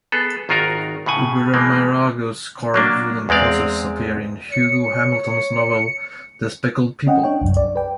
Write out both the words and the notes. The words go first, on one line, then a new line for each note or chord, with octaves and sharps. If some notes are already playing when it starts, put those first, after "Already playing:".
Oberammergau's carved wooden crosses appear in Hugo Hamilton's novel "The Speckled People".
B3 G#4 A4
G#1 D#3 F4 F#4 A#4 A#5
A2 C#3 F#5 G#5
B2 E3 G#3 A#3 C4
F#3 A#3 D4
E2 G#3 C4 D5 F5
C#5 C#7
C#4 D#5 F#5 G5
D4 C#5 G5
C2 F#2
D5
B4 G5